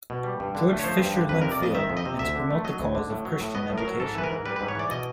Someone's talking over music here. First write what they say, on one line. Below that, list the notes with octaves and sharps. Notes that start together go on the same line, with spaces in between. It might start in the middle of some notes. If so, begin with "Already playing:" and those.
George Fisher Linfield, and to promote the cause of Christian education.
B2
G3
G2
D3
A3
C#5
F3 C5
G2
D3
F2 B4
C3 A#4
D5
F2 D#5
D#3 E5
F2
D#5
C3
D2 E5
D3
A3
F#3 D#5
D2
D3
A2
F#3
A2
B3 D#5
A2
A#4
F#3
G#2 A4
E3 B4
A#4
G#2
G3 B4
G#2 B4
C#5
E3 D5
B2 D#5